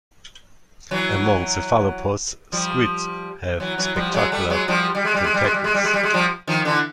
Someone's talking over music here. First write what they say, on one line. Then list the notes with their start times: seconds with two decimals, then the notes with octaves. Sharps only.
Among cephalopods, squid have spectacular tentacles.
0.91 E3 F#3
2.52 F3 G3
3.60 E3 F#3
3.78 E3 F#3
3.96 F3 G3
4.14 F#3 G#3
4.32 G3 A3
4.50 F#3 G#3
4.68 F3 G3
4.95 G3
5.05 G#3
5.14 G3
5.24 G#3
5.34 G3
5.44 G#3
5.54 G3
5.64 G#3
5.74 G3
5.84 G#3
5.94 G3
6.03 G#3
6.14 F3 G3
6.47 D#3 F3
6.65 D3 E3